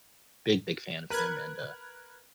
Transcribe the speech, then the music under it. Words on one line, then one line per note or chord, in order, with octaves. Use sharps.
big big fan of him and, uh,
A#4 B4 F#6 G#6